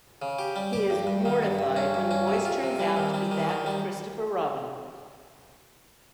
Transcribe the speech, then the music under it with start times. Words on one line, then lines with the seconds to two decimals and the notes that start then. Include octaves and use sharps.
He is mortified when the voice turns out to be that of Christopher Robin.
0.22 C#3
0.39 G4
0.56 G3
0.73 G4
0.90 G2
1.07 G2
1.25 D#3
1.43 G2
1.59 G2
1.76 C#4
1.94 G2
2.11 C#4
2.28 C3
2.45 F4
2.63 C3
2.79 G3
2.96 D#3
3.14 G3
3.31 D#3
3.49 D#3
3.66 G3